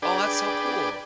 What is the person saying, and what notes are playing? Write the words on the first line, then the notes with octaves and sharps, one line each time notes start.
Oh, that's so cool.
D4 G#4 B4 D5 G5